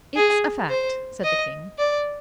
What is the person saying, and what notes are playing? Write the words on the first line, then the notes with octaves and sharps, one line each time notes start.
"It's a fact," said the King.
G#4
C5
D#5
D5